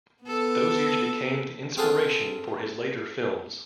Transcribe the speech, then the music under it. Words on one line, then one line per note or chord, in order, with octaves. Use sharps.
Those years became the inspiration for his later films.
B3 A4
C4 F4 G#4 A4 F#5 G#5